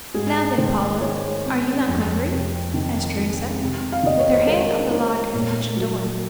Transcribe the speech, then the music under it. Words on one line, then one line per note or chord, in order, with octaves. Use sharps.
"Now then, Paula, are you not hungry?" asked Teresa with her hand on the lock of the kitchen door.
G#2 G#4
D#3 C5
G#3 C#5
C4
F2
C3
D#3
G#3
C3
F5
D#3 D#5
C#5
C5
G#3 A#4
D#4
A#2
F#3